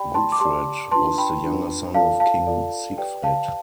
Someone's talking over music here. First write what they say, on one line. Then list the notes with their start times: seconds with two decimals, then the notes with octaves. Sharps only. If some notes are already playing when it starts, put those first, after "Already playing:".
Gudfred was the younger son of King Sigfred.
Already playing: G4 D5 G5 B5
0.14 A5 C6
0.32 D6
0.40 G4 D5 A5 C6
0.91 D4 F4 B4 A5 C6
1.18 G5 B5
1.44 D4 F4 B4
1.94 F4 A4 D5 F5 A5
2.20 F5 A5
2.47 F4 A4 D5
2.98 G4 B4 D5 G5
3.23 F5 A5